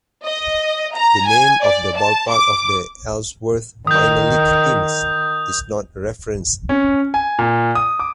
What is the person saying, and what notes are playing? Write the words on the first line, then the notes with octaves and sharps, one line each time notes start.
The name of the ballpark of the Ellsworth minor league teams is not referenced.
D#5
A#5
G#5
D5
A5
D6
D#3 D#6 G6
C#4
G#5
A#2
D#6
D6